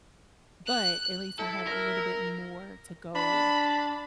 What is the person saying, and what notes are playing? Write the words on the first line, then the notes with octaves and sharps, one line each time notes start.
But at least I have a little bit more to go
F#6
E4 A4
A#4 F6 A#6
D4 B5